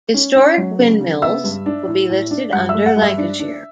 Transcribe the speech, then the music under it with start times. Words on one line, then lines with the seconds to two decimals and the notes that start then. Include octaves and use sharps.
Historic windmills will be listed under Lancashire.
0.14 C#4
0.35 C#4
0.58 F#3
0.79 C#3
1.01 C#3
1.22 B3 E5 E6
1.44 G2
1.66 D4
1.88 A2
2.10 A2
2.31 D4
2.52 G2 F#5 F#6
2.69 E5 E6
2.74 A3
2.86 F#5
2.96 G2
3.02 E5
3.18 D4
3.40 D4